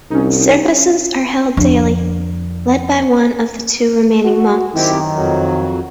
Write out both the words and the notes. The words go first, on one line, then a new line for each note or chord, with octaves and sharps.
Services are held daily, led by one of the two remaining monks.
C2 C#4 D#4
F2 D3
F#4
F#2 D#3 C4 E4 G4
F2 F#3